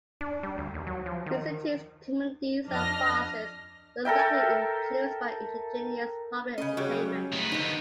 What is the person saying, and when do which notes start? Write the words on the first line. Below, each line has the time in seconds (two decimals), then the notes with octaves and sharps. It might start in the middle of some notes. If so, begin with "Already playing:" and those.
Vicente's comedies and farces were likely influenced by indigenous popular entertainment.
0.21 D4
0.43 G3
0.58 D2
0.74 D#2
0.87 F#3
1.06 F3
1.26 D#3
2.68 F2 D4 D#5 F6 A#6
4.05 A4 A#4 E5 G5
6.58 C#3 C#4 D#5 B5
6.77 C#3 G3 F#4 C#5
6.89 F#3
7.33 A2 D#3 B3
7.52 D3 F3 D#4 D#5